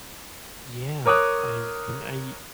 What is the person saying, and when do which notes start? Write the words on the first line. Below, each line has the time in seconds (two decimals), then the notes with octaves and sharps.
Yeah, I mean, I
1.06 A#4 C#5 D6 D#6 F#6